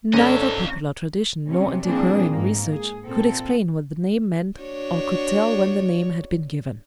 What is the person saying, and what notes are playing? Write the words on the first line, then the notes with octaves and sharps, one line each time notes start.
Neither popular tradition nor antiquarian research could explain what the name meant, or could tell when the name had been given.
G#1 C#4 A4 D5 D#5 F5
C3 C#4
A#2 E3 F3 C4 D4 G#4
G#2 A#3
G#4
A#2 C4 A4
D4 F#4 C#5